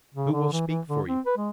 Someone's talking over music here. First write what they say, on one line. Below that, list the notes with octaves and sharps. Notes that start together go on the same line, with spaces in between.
"Who will speak for you?"
C#3
D3
E3
E3
D3
C4
B4
G#3